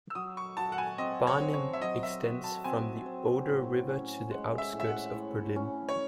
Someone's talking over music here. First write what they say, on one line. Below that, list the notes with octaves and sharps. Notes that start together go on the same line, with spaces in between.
Barnim extends from the Oder River to the outskirts of Berlin.
E6
F#3 D#6
C#6
F#4 A5
F#5
G#5
C4 D#5
C#5
C5
C#5
E5
F#3 D#5
E5
F#4
A5
C4 G#5
C5
A2
C#4
G#3 F#5
E5
A2
E5
F#5
A2
C#4
C#5